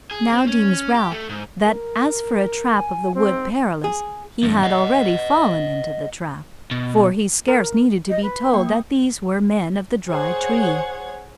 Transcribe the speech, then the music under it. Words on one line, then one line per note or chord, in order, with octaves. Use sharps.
Now deems Ralph that as for a trap of the Wood Perilous, he had already fallen into the trap; for he scarce needed to be told that these were men of the Dry Tree.
G#4
C4
C#4
G4
A3
G#2
A#4
G#5
G#2 C4
G#4
E2 G2
D#5 F#5
B2
A#4
D#5
B4
A#3 G5
D#6
G#4 C5 C#5 F#5 G#6